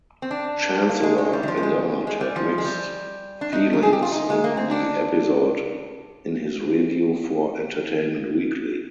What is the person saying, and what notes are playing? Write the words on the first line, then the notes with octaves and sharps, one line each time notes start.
Chancellor Agard had mixed feelings on the episode in his review for "Entertainment Weekly".
C4
D4
A#3
G#3
G#3
G3
D#3
F3
G3
G#3
G#3
G3
F3
G#3
G3
D4
D#4
A#4
G#4
G4
F4
D#4
G#3
A#3
C4
D4